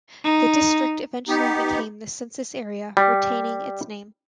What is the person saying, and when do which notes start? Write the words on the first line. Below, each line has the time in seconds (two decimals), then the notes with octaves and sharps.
The district eventually became the census area, retaining its name.
0.24 D#4
1.28 B3 D#4 G4
2.97 G3